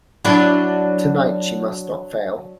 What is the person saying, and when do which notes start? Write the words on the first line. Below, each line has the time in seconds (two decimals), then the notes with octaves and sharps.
Tonight she must not fail.
0.25 F#3 D4 E4